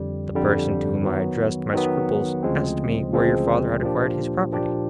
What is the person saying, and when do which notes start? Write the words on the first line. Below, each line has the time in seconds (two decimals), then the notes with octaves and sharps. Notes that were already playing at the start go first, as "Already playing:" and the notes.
The person to whom I addressed my scruples asked me where your father had acquired his property?
Already playing: F2 D3 G3
0.34 F2 D3 G3
1.03 D#3 F#3 B3
1.73 D#3 F#3 B3
2.43 D2 C#3 F3 G#3 C4
3.12 D2 C#3 F3 G#3 C4
3.82 A#2 F3 A#3 D4 G4
4.52 A#2 F3 A#3 D4 G4